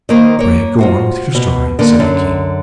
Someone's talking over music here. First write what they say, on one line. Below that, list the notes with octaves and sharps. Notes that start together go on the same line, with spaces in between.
"Pray go on with your story," said the King.
D#3 A#3 C5
A#3 C#5
F4 F#4 C5
B2
D3 A#3
F#2 D3